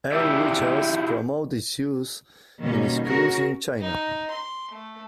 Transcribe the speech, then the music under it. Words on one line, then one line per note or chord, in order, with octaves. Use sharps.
A. Richards promoted its use in schools in China.
E4 F4 G4 D5 E5
B2 D#3 G3 A#3 C#4
C#4 F#4 G#4 A#4
D#4
C6
A3